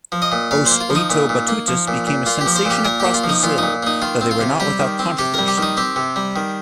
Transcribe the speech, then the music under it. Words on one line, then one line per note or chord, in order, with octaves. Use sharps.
Os Oito Batutas became a sensation across Brasil, though they were not without controversy.
F3
D#5
A#2
A#2 F5
C5
A#3
F4
F3
D#4
A#2
A#2
A#3
F3
A#2
A#2
A#3 F4
G4
F3
C5
A#2
G4
A#2 A#4
A#3 G4
F4
F3
D#4
A#2 F4
A#2 D#4
A#3 D#4
D#3 F4
C4
F4
C3
G3 G4
D#3
C4
C3 G4
G3 A#4
G4
D#3
D#4
C4 G4
C3
G3
D#3